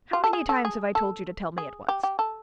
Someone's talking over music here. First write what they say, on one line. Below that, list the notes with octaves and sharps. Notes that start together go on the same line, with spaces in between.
"How many times have I told you to tell me at once?"
F4
A4
G#4
A4
G#4
A4
G#4
G4
G4
A4